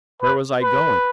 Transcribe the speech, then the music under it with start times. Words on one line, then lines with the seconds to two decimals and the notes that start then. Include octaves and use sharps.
Where was I going?
0.22 B4
0.61 B4